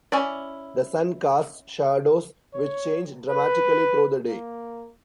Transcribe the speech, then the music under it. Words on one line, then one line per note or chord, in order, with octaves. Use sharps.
The sun casts shadows which change dramatically through the day.
C#4 E4 D5
C#5
B4
A#3